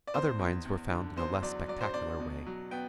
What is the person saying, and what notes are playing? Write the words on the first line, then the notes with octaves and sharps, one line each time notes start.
Other mines were found in a less spectacular way.
D5
E2 C5
E2
E2
D3
E2 C5
F#3 D5
F#3 D5
C5
E2 D5
B2
F#3
B3 G5